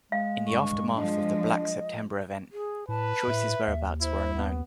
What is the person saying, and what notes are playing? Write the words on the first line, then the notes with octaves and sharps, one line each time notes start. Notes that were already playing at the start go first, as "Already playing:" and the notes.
In the aftermath of the Black September Event, Choice's whereabouts were unknown.
G#3 F5
G2 C#6
F3 G#3 D4 D#5
G#4
A2 B4 A5
A2 E5
D#2
E4 C5
D#2 B3